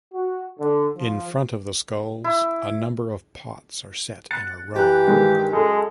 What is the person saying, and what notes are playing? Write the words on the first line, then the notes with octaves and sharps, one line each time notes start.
In front of the skulls, a number of pots are set in a row.
F#4
D3
F3
E4
F#6 A6 C#7
E3 G4 A#5 F#6
G2 D#3 G#3
F#2 G#3 A4